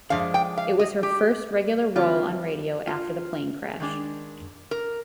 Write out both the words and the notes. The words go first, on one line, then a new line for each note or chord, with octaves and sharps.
It was her first regular role on radio after the plane crash.
F3 G#3 D4 F5
G5
F5
D#5
G4
D3 G3 C4 F4
F4
D#3 G#3 D4
A#4